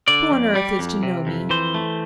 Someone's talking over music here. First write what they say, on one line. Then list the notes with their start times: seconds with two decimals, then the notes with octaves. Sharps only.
Who on earth is to know me?'
0.08 D3 D5
0.32 F2
0.55 G3
0.79 F2
1.03 C3
1.27 F2
1.50 E3 C5
1.74 A3